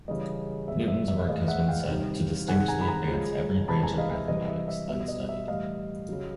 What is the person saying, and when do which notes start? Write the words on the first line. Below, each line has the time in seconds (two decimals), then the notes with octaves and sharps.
Newton's work has been said "to distinctly advance every branch of mathematics then studied".
0.08 C#3 E3 G3 D#5
0.68 B2 G#3 E5
0.88 E5
1.08 E5
1.28 A2 E3 G#3 D#5 F5
1.48 E5 F#5
1.68 F5 G5
1.88 C3 D#3 G3
2.48 C3 D#3 G#3 F#5 G#5
2.68 G#5 A#5
2.81 B5
2.88 G#5 A#5
3.08 C#3 F3 G#3
3.68 C3 E3 G#3 A5 B5
3.83 G#5 A#5
3.98 D#5 F5
4.14 E5
4.28 C3 E3 G3 D#5
4.48 E5
4.68 E5
4.88 B2 G3 E5
5.08 D#5
5.29 E5
5.48 A2 E3 G3 D#5 F5
6.09 C#3 F#3